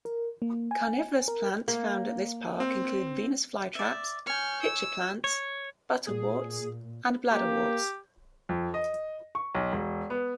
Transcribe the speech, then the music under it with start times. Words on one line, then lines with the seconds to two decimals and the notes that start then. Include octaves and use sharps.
Carnivorous plants found at this park include Venus flytraps, pitcher plants, butterworts and bladderworts.
0.05 A#4
0.42 A#3
0.71 G#5
1.28 A#4
1.68 A#3
2.60 C4
3.75 D5 E5
4.27 C#5 G#5 F6 G6
4.62 E6
5.24 C#5
6.07 A#2 G#4
7.31 A#3 G4
8.49 F2
8.74 D#5
9.35 C#6
9.54 B1
9.72 E1
10.10 B3